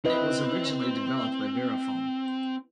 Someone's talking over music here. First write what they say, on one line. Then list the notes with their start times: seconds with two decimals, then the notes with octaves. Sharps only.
It was originally developed by Verifone.
0.05 C4 E4 B4 D#5